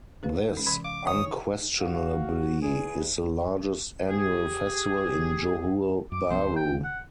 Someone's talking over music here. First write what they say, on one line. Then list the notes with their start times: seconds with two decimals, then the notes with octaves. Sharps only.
This unquestionably is the largest annual festival in Johor Bahru.
0.23 G#4 B4 F5
0.53 G#3 C#4
0.66 C3 E3 B5 G#6
0.84 F5 D6
1.06 F#2 D#3 C#5 G#5 D#6
1.80 F#4 F5
2.62 E2 G#4
4.09 G4 G#4
6.12 F#2 D6
6.30 C2 F3 B3 C5
6.42 D#2
6.56 G5
6.84 F#5